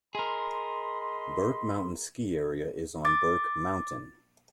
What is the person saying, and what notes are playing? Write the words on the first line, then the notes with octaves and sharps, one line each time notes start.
Burke Mountain Ski Area is on Burke Mountain.
G#4 A#4 D#5 B5 C6
D6 A6